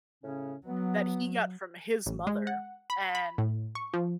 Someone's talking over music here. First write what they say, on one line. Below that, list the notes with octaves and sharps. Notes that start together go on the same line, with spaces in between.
that he got from his mother, and
A2 C#3 C#4
F#3 B3
A1
G#3
F#5
B5
B5
A2
C#6
F3